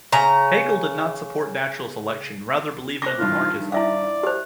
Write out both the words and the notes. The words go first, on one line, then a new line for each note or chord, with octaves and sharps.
Haeckel did not support natural selection, rather believing in Lamarckism.
C#3 A#5
C5 C#6 D6 A#6
G2 D#3 E3 F4
E4 D5 E5 F5
G4 C5